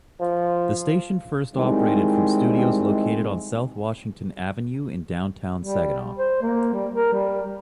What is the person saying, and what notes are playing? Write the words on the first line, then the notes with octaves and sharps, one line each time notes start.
The station first operated from studios located on South Washington Avenue in Downtown Saginaw.
F3
D#3 G3 G#3 C4 E4
G3
C5
A#3
G3
A#4
G3